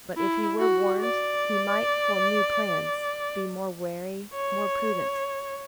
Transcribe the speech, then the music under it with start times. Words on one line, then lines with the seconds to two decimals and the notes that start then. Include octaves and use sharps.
But if he were warned, he might form new plans, be more wary, more prudent.
0.17 E4
0.59 F#4
1.00 D5
4.34 C#5